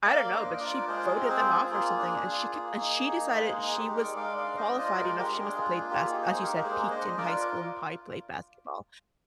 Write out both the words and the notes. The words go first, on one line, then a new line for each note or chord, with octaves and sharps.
I don't know, but she voted them off or something, and she kicked and she decided she was qualified enough. She must've played baske as you said, peaked in high school and probably played basketball,
A#3 D5 F5
D4 C5 D#5
F4 A#4 D5
G#3 G#4 C5
C4
A#4
G#4 C5
F4
A#3 G#4
D4
F4
A#3
D#4
A#3
G#3 G#4 C5
G#4
D#4
G4
G#3
A#4 D5
G#3 D5 F5
D5 F5
D4
C5 D#5
F4
C5 D#5
C5
G#3 A#4 D5
G4 A#4
D4
G#4
F4
G#4
A#3
G4
G#4
D#4
G#4 C5
A#3
G4 A#4
A#4
G#3 G#4 C5
D4 C5 D#5
F4 A#4 D5